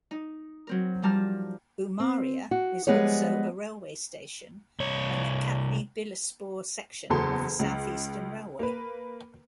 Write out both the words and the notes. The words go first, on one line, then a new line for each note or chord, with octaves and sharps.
Umaria is also a railway station on the Katni-Bilaspur section of the South-Eastern Railway.
D#4
F#3 C4 A#4
G2 F3 G3 A5 A#5 F6
C4
F#4
F3 G3 G#3 B3 G#4 C#5
C2 C#5
F#1 E2 F#3 A4 C6
C#2
A#3 B4